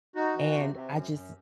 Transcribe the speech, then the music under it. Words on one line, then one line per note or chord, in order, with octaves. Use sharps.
and I just
D#4 F#4
E3
C3
C3
F#2
F#2